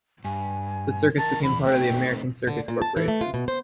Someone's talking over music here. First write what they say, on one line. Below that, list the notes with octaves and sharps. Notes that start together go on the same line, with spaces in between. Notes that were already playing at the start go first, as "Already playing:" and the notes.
The circus became part of the American Circus Corporation.
G2 G#5
E3 A#4 A5
E2 E3 B5
A3 C4 D#4 G5
D3
A#2
A5
E3
A3
F4
B2
C5